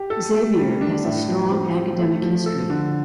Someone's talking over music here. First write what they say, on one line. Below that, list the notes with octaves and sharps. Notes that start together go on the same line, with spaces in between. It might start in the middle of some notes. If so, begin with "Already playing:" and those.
Xavier has a strong academic history.
Already playing: G4
A4
A3
G3
D4
A2
F3
C4
F3
A3
F3
A4
D3